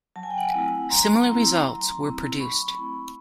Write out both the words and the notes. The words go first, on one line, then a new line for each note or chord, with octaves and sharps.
Similar results were produced.
F#3 A5
G#5
G5
F#5 G#5
A3 C4 E4
F#3 A#5 C6
A3 C4 E4
F#3
A3 C4 E4
F#3 B5 C#6
A3 C4 E4